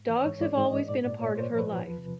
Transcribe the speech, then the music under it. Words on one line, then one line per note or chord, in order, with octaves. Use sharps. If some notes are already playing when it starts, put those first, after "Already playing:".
Dogs have always been a part of her life.
Already playing: G#2
E3
C#5
G#2
G#2 D5
G#2
D#5
G#2
A#2 D5
A#2 D5
A#2 C#5
A#2 C5
F3
B4
F3
E2
C3